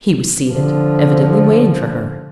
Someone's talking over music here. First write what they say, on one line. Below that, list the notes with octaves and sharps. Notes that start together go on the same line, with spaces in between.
He was seated, evidently waiting for her.
D3 F3